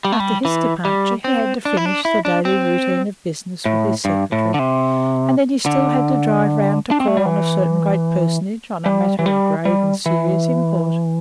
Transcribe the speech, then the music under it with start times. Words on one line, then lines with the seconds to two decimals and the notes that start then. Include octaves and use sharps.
After his departure, he had to finish the daily routine of business with his secretary, and then he still had to drive round to call on a certain great personage on a matter of grave and serious import.
0.05 G3
0.12 A3
0.20 G3
0.45 E3
0.85 G3
1.24 C4
1.65 D4
1.77 E4
1.86 D4
2.05 E4
2.25 D4
2.45 C4
3.65 A2
4.05 G2
4.32 A2
4.54 D3
4.59 C3
5.66 D3
6.91 D4
7.00 C4
7.08 A3
7.17 G3
7.26 E3
8.86 G3
9.19 E3
9.26 G3
9.65 G3
10.06 E3